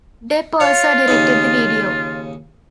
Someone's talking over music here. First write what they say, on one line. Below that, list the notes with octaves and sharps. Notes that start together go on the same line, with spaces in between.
Depp also directed the video.
F4 C#5 F5
D#2 C#3 D#4